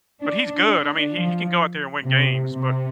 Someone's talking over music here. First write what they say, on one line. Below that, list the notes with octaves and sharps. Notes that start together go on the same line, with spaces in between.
but he's good. I mean, he he can go out there and win games, but
D4
D4
F3
C3
C3